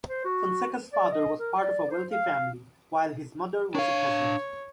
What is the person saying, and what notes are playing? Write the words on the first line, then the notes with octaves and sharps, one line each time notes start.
Fonseca's father was part of a wealthy family, while his mother was a peasant.
C5
F#4
D5
D#5
A#4
D5
C5
F5
D4 C#5 F5